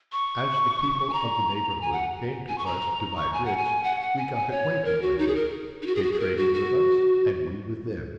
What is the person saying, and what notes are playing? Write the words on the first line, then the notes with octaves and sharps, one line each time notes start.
As the people of the neighbourhood came to us to buy bricks, we got acquainted with them; they traded with us and we with them.
C#6
G#5
A#5
G#5
F#5
G#5
C#6
A#5
C#6
G#5
F#5
G#5
F#5
F#5
G#5
G#5
C#5
A#4
F#4
D#4
G#4
A#4
D#4
F#4
G#4
F#4
G#4
A#4
F#4
F#4